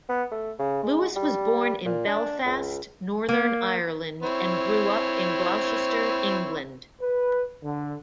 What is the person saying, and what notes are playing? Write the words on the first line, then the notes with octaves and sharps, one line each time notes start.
Lewis was born in Belfast, Northern Ireland and grew up in Gloucester, England.
B3
A3
C#3
G#3
G3
A#2
D4
C#2
A#3
C4 E4 C#5
B4
D3